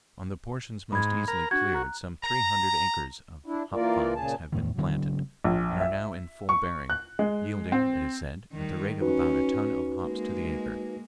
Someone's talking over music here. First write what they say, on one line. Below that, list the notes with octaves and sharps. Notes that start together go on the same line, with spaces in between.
On the portions most easily cleared some three hundred acres of hop vines have been planted and are now in full bearing, yielding, it is said, at the rate of about a ton of hops to the acre.
G#2 B5 G#6
A#4 A#5
D4 F#4 G#6
A#5 F#6
A#5
D4 E4
E3 A#3 F4 A#4 D5
A#2 C#3 G#4 A5
E2 A2 D#3
C#3 F#3 G#3 C4
A#1
E5
C#6
F#6
G#3
C4
D#3 G3
C#4 D#4 F#4 B4
G#3 A#3